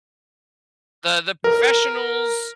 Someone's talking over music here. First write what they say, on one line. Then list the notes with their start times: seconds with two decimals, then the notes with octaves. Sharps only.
The the professionals,
1.44 A#4